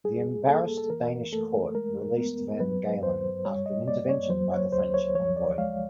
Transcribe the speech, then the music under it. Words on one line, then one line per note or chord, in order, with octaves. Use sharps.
The embarrassed Danish court released Van Galen after an intervention by the French envoy.
G3 G#4
A#3 A4
A4
E3 A#4
A3 A4
G#3 A#4
B3 A#4
F#3 B4
G2 C5
G3 C#5
D#5
A#3 D5
C#5
F#3 C5
C#5
D2 C5
C#5
F3 C#5
D5
G#3 F5